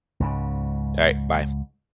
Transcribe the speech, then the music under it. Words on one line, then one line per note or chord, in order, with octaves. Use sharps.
Alright, bye.
C#2 G#2 C#3